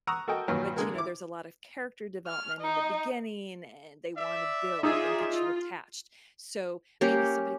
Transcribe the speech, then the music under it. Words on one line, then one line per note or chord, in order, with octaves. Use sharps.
But, you know, there's a lot of character development in the beginning, and they want to build and get you attached. So maybe somebody
F#5 A#5 C#6 D#6 E6
F#4 A4 A#4 D#5 G5
G2 A#2 D#3 F#3
D3 G#3 A#3
E4 D6
F6
D#4
D5 E5
D#4 F4 G#4 D5 E5
F4
A#3 C#4 G4